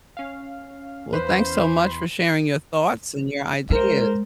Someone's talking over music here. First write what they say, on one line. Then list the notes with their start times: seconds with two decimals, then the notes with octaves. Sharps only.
Well, thanks so much for sharing your thoughts and your ideas.
0.17 C#4 F5
1.13 E2 B4 C5 B5 C6
3.70 G#3 A#4 C5